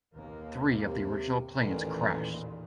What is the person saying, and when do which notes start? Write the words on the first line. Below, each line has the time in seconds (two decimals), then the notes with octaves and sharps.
Three of the original planes crashed.
0.13 D#2 B2 A#3
0.87 C3
1.61 A1 E2 A#2 D#3